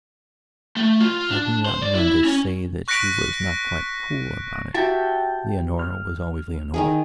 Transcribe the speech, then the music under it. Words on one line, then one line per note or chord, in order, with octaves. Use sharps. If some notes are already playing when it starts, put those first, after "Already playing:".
I do not mean to say that she was not quite cool about it. Leonora was always Leonora.
A3
F4
D4
C5
D5
E4
C#4
C#6 F#6 A#6 B6 C#7 D7
F#4 G4 E5 G5 A5
F6
D#3 D#4 G#4